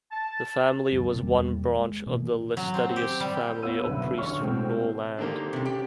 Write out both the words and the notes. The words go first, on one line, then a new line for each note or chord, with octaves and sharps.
The family was one branch of the Laestadius family of priests from Norrland.
A5
C#2 F#2 C#3
C3
E2 G3 A#3
G#3
B2 E3 A#3
F#3
C4
G4
G3
B3 F4 C#5 E6 D#7
F#1 C2 B2 D3 B4
A1 D3 C#5 C#6 F6
B2 G#3 A3 C4
D3 D#3 A#3 D4 G4 C5
C3 G3 C#4 B4
G4